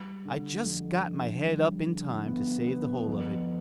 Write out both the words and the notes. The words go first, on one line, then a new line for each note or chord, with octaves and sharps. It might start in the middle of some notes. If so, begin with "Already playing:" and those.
I just got my head up in time to save the whole of it.
Already playing: G3
D3
F2
D3
G3
D3
B3
B3
F2